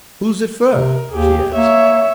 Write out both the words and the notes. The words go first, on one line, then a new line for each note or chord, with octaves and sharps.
"Who's it fur?" she asked.
C3 A#4
D#2 G4 G#4
A#3 C#5 E5